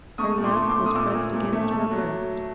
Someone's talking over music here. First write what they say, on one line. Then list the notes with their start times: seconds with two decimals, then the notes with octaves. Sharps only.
Her left was pressed against her breast.
0.18 A3 C#6 D#6
0.38 A#2
0.44 C6 D6
0.57 A3
0.69 C6 D6
0.77 A3
0.86 D#6
0.95 A#2 D6 E6
1.14 A#2
1.33 A#2
1.53 A3
1.71 A3
1.91 F#3